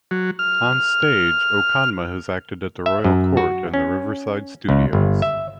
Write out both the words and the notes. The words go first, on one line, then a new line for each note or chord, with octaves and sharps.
On stage, Okonma has acted at the Royal Court and the Riverside Studios.
F#3
F6
E5
F#2
F#4
C#4
C#2
G1
E5